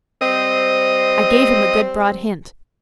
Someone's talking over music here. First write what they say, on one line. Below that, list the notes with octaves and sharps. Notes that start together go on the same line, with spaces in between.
I gave him a good broad hint.
G3 C4 D#5